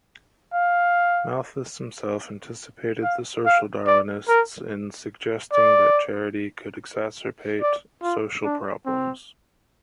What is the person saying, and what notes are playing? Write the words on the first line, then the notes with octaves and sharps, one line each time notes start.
Malthus himself anticipated the social Darwinists in suggesting that charity could exacerbate social problems.
F5
F5
F5
D5
A#4
D5
D5
F4
D4
C4